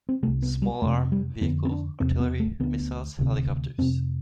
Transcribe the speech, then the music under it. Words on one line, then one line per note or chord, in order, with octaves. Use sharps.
Small arm, vehicle, artillery, missiles, helicopters.
C4
C2 C3 A3
B3
G3
F2 C3 A3
G3
F2 D3 B3
C4
D4
E2 C3 C4
B3
A3
D2 D3 B3
D2 C3
F2 C3 C4